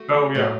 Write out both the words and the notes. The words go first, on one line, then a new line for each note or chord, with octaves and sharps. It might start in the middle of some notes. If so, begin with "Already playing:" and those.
Oh, yeah.
Already playing: A3 F#4
A2 F#3 A3